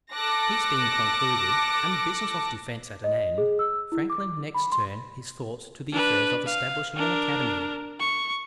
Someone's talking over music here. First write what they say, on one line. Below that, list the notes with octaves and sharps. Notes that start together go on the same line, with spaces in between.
Peace being concluded, and the business of defence at an end, Franklin next turned his thoughts to the affair of establishing an academy.
A4 A5 D6 F#6 A#6
D#5
G#4
E6
E4
D6
B5
C6
D4 B4
F5
D4 A#4
C#6